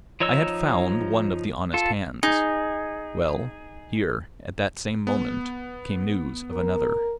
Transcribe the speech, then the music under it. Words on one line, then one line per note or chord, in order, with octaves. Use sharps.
I had found one of the honest hands--well, here, at that same moment, came news of another.
F3 D#4 C#5 D#5 E6
F4 A4
D#4 G#4
B3
A#4